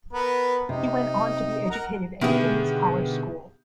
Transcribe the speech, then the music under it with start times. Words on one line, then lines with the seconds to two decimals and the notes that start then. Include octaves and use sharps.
He went on to be educated at King's College School.
0.13 B3 A#4 B4
0.69 C3 D#4
1.70 A#4 F#5 A#5
2.21 B2 D3 D#3 B3 E4 G4 G#4